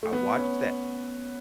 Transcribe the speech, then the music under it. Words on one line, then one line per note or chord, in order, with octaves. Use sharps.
I watched that
A3
B3
C#4